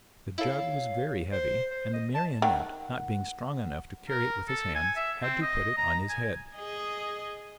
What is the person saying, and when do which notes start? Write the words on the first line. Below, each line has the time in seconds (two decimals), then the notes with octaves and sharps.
The jug was very heavy, and the Marionette, not being strong enough to carry it with his hands, had to put it on his head.
0.38 E4 A4 C#5 F5
1.32 C5
1.71 C5
1.94 D#5
2.14 A5
2.42 D#3 F#5
4.09 A#4
4.48 A4
4.75 G#5
4.96 E5
5.23 C4
5.42 D#5
5.78 A#5
6.09 G#5
6.54 G#4 D#5